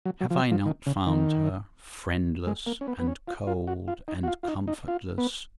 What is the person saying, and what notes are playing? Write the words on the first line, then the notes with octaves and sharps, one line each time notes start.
Have I not found her friendless, and cold, and comfortless?
F#3
F#3
F3
F#3
F3
D#3
C#3
D#3
G#3
A#3
C#4
B3
B3
C#4
F4
F4
F#4
F4
D#4
F#4
F4
F4
D#4
D#4
F4
B3